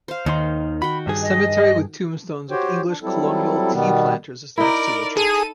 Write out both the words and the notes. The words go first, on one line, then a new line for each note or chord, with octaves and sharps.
A cemetery with tombstones of English colonial tea planters is next to the church.
C5 F5
D#2 D#3 D#4 C6
F#4 G5 B5
G2 G#4
D#5
F#4 G4 C5 C#5 G5
D4
F#3 G3 C4 E4 A4
B2 D#3 G3 B3
D#4 E4 A#4 D5
G#4 A4 D#7